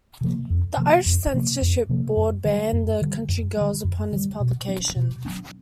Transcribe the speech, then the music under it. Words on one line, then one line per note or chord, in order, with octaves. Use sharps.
The Irish censorship board banned "The Country Girls" upon its publication.
C3 F3 A#3
F2
C3 F3 A#3
F2
C3 F3 A#3
F2
C3 F3 A#3
F#2
D3 G3
F#2
D3 G3
F#2
D3 G3
F#2
D3 G3
B2
F#3 B3 D4
B2
F#3 B3 D4